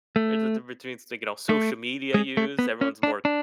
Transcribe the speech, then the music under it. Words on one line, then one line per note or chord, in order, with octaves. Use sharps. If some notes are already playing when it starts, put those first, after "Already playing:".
it's a difference between, you know, social media use. Everyone's more,
A3
A3
G#3
A3
B3
C#4
D4
D4